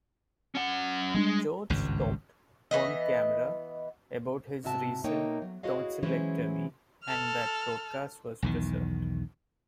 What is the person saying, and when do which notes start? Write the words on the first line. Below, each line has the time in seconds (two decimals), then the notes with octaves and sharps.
George talked on-camera about his recent tonsillectomy, and that broadcast was preserved.
0.55 C#4 F#5
1.14 G3 G#3 A#3 D4
1.70 G#1 C#2 G2
2.71 E3 G#3 B3 D#5
4.63 G#2 C3 E4 F#4 E5 A5
5.04 B2 A3 A#3 D#4 C#5 G5
5.42 F#3
5.63 E4 F#4 G#4 C#5 D#5 F5
6.03 E3 F#3 G#3 C#4 E4 C5
7.03 A4 F6
8.42 B1 E2 D#3